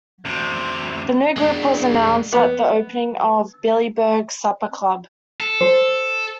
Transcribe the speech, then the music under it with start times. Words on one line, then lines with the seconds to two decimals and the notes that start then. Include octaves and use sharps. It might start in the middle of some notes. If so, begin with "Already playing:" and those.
The new group was announced at the opening of Billy Berg's Supper Club.
0.25 D2 C3
1.37 G#3 D4
2.32 B3
5.40 A4
5.61 C5